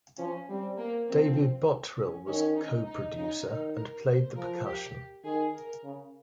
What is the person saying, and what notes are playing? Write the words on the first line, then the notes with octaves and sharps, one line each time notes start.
David Bottrill was co-producer and played the percussion.
F3 C#4
G3 C4
A#3
F3 C4
C#4
D#3 C#4
D#4
D#4
C#3 D#4
D#3 D#4
A#4
C5
F3 A#4
G4
D#3 G#4
A#4
C#3